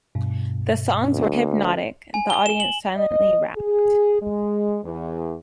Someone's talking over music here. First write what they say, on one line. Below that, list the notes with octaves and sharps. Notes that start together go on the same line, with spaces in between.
The songs were hypnotic, the audience silently rapt.
G2 B2
D2
G#5
G7
E7
F#7
D#5
G#4
G#3
E2